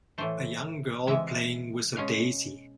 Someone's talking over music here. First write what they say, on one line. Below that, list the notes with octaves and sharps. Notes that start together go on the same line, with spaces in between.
A young girl playing with a daisy.
A2 E3 A3 C5
C3 E3 G#3 E5
B2 G#3 C#4 F5